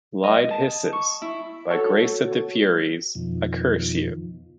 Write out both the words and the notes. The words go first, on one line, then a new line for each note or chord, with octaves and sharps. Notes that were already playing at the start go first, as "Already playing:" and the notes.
Lyde hisses, by grace of the Furies, I curse you!
D#5
A5
C#6
E4
F#4 A4 C#5
F2 B2 D#3 F3